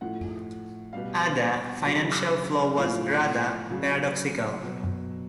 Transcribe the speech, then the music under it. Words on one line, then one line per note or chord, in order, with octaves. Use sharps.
Other financial flow was rather paradoxical.
A2 F3 F#5
B2 G3 F5
C#3 F#3
A2 F3 F5
C#3 F#3
B2 F#3